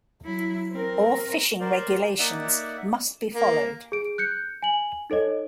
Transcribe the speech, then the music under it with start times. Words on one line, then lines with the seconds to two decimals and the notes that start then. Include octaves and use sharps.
All fishing regulations must be followed.
0.25 F#3 E4
0.72 C4 A#4
1.60 A#4 C5 D5
2.19 A#3 D#4 D5 E5 F#5
3.35 A#3
3.92 G#4 D7
4.18 F#6 G6 C#7
4.63 G#5 F#7
5.10 D#4 A4 C#5 D#5